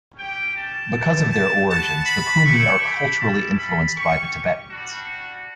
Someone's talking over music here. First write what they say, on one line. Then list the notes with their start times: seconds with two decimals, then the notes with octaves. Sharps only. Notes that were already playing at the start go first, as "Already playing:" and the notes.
Because of their origins, the Pumi are culturally influenced by the Tibetans.
0.15 C#4 G4 G5
0.53 A5
0.91 A3 E4 G4
1.29 A5
1.67 B3 F#4 A5
2.05 B5
2.43 A3 E4 G4 C#6
2.80 B5
3.18 C#4 E4 G4 A5
3.57 B5
3.94 C#4 G4 C#6
4.70 G3 D4 F#4